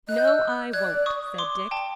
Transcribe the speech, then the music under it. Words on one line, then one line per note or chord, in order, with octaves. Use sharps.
"No, I won't," said Dick.
D#5 F#6
G6
E6 F#6
D5 F#6 G#6
C#6 D#6
C6 D6
G5 A5